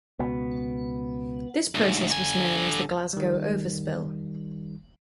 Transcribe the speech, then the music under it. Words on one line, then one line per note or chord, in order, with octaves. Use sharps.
This process was known as the "Glasgow overspill".
C#2 B2 B3
D2 G#2
D3 G#5
D#3 G3